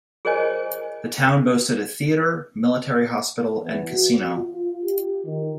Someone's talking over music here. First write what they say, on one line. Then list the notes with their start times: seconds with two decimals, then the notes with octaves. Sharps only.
The town boasted a theater, military hospital, and casino.
0.25 G#4 A#4 C5 C#5 D#5 G#5
3.61 E2
3.91 F#4
4.36 F4
4.84 G4
5.26 D#3